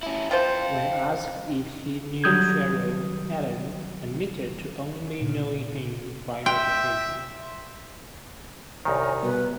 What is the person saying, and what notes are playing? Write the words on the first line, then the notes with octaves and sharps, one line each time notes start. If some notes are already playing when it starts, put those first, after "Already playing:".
When asked if he knew Shero, Allen admitted to only knowing him by reputation.
C#4 E4
F4 C5 F5 G5
D#3 F#3 G3 D#6 G6 G#6
A#2 C#3
E5 G5 C6
C2 D#3 C#5 G#5 A#5
B2 G3 B4